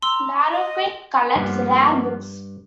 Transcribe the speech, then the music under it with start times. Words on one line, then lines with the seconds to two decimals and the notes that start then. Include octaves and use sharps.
Larroquette collects rare books.
0.02 A#5 C6 E6
0.50 D#5
1.36 G2 F3 A#3 B3